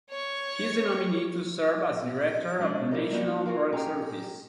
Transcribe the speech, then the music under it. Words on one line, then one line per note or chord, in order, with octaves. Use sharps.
He is the nominee to serve as director of the National Park Service.
C#5 C#6
G#3 C#4 D4
F3 E4 G4 A#4 D#5
G3 A#3 D#4 E4 F#4
F4 F#4 A4 A#4 F5
C#4 G4 G#4 G5 A#5